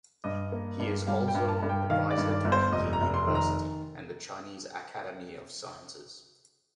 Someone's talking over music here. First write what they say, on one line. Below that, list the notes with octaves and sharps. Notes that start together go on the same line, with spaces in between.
He is also advisor to Peking University and the Chinese Academy of Sciences.
G2 D#5
A#3
G2
G3 F5
G5
G2
A5
G2
G5
D#3 F5
D5
G2
D5
G1
C5
F1 D#5
A#5
F1
C6
D#3
A#5